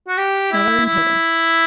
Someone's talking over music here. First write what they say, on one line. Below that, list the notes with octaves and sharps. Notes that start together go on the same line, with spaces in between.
Heller and Hiller.
F#4
G4
E4
E4